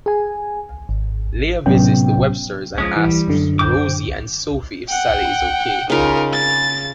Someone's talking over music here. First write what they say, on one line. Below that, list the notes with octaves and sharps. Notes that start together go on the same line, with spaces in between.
Leah visits the Websters and asks Rosie and Sophie if Sally is okay.
G#4 G#5
G#1
A2 C3 F#3 B3 C#4 G5
F3 G#3 C#4
E3 G3
F#2 D3
C5 G5 D6
F#5 G5
C#3 D#4 F4 A#4
A6